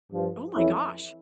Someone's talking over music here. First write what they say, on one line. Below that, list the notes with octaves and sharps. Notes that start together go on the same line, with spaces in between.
Oh my gosh.
G2 F3
F2 E3 C#4 E4